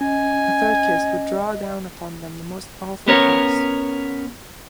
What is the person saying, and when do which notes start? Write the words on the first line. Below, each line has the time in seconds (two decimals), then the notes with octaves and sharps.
A third kiss would draw down upon them the most awful curse.
0.01 C#4 D#5 G#5
3.08 B3 C#4 A#4 C#5